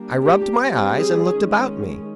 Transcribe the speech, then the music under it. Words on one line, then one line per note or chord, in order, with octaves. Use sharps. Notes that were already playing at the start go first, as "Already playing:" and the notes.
I rubbed my eyes, and looked about me.
Already playing: G3 A#3 D4
G4
G3 C4
G#4
D#3 G#3 C#4